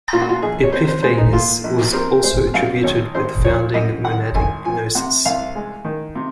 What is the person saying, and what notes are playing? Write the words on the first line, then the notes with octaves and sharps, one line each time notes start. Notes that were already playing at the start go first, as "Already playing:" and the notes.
Epiphanes was also attributed with founding Monadic Gnosis.
A#2 F4
F#4
F4
A#1 G#4
C#5
C4 C5
C5
G#3 C5
D#4
A#2 F4
A#1
C4 A#4
G#3 C5
F#2 F5
G#1 C#5
G#1 C5
F3 C#5
F#2 D#5
G#1 F#5
G#1 G#5
F3 G#5
C3 F#5
C2 F5
G#3
D#3
C3